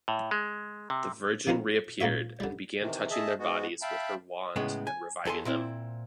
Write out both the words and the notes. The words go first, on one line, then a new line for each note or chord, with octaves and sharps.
The Virgin reappeared and began touching their bodies with her wand and reviving them.
A2
G#3
C3
D#3 F3 C4 C#4 A#4
C#2 A#2 A#3 C#5 E5
D3 G3
C3 D#3 E3
G#4 D#5 E5 A5
G#2 G#3 B3 F#4
E5 F5 G5 A5 B5
A2 C#3 G#3 B3
G#5
E2 E3 A4 G#5 C6
A#2 C4 E4